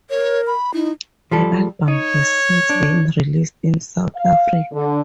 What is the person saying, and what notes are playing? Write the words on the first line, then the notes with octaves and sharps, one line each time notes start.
The album has since been released in South Africa.
A#4 C#5
B5
D#4 E4
F3 G3 A4
D#4 C#5
D4
F5
D3